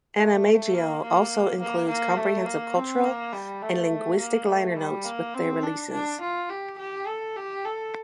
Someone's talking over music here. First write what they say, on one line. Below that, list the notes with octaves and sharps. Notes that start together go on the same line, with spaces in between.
AnimEigo also includes comprehensive cultural and linguistic liner notes with their releases.
A3
A#3
A#3
A#3
A#3
A3
A#3
C4
A#3
G3
A3
A#3
A3
G3
A#3
C4
D4
D4
F4
G4
G4
A4
G4
A4